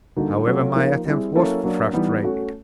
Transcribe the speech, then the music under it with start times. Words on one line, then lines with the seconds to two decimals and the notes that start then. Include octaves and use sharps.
However, my attempt was frustrated.
0.16 D3 G3 A#3 D#4 F#4
0.46 C#3 F#3 A3 C#4 F4
0.75 F3 A#3 D#4 G4 A#4
1.05 G3 C4 E4 G#4
1.35 F#3 A#3 C#4 E4 A4
1.64 F#3 A#3 D4
1.93 E3 G3 B3 D#4
2.23 A3 C#4 F#4